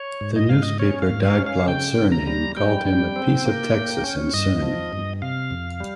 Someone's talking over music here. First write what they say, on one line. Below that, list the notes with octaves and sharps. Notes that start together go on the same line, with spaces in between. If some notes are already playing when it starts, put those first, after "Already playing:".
The newspaper "Dagblad Suriname" called him "a piece of Texas in Suriname".
Already playing: C#5
G#2
D#5
G#2 F5
D#5
C#4 C#5
F5
G#2
F5
C#4
F5
C#3 G5
C#3
A#5
G3
G3 G5
G3
C4
A#3
A#3
C#4
G2 D#5
F3
G2
C3 F5
F2
G3